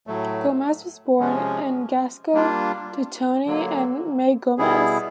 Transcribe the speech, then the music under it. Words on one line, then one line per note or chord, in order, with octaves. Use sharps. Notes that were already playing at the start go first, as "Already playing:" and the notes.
Gomez was born in Glasgow to Tony and May Gomez.
A2 F#3 A3
C3 F3 G#3 C#4
G3 A#3 D4 F4
D3 F#3 A#3
B2 G3 B3 E4 G#4